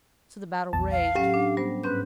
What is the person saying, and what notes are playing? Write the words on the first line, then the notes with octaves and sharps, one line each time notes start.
So the battle raged.
A#1 E2 A5
F5
A2 F#3 C#4 G4
D4
G3 B3 C5
G#2 C#4 B4 G6